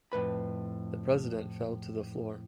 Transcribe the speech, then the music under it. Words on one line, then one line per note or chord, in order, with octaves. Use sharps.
The President fell to the floor.
F2 A2 B4 B5